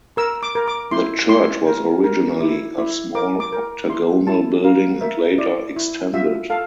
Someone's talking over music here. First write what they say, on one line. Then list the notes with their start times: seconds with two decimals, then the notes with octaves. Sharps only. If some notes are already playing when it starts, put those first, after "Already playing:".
The church was originally a small octagonal building and later extended.
0.17 A#4 E6
0.43 D6
0.55 A#4
0.68 D6
0.91 E4 C6
1.29 E4 C6
1.67 A#4
2.04 A#4
2.40 E4
2.78 E4
3.15 A#4 D6
3.40 D6
3.52 A#4
3.89 E4 C6
4.27 E4 A5
4.64 A#4 F5
5.01 A#4 E5
5.38 E4 D5
5.77 E4
6.14 F4 E5
6.50 A4 F5